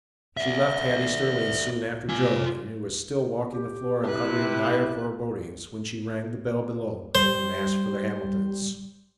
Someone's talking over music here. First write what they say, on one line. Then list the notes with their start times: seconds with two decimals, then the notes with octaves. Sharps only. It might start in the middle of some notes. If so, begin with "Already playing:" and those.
She left Hattie Sterling's soon after Joe, and he was still walking the floor and uttering dire forebodings when she rang the bell below and asked for the Hamiltons.
0.37 D5 E5
2.09 F4 G#5
3.52 G4
4.04 C3 E4 B4 F#6
7.15 G3 C5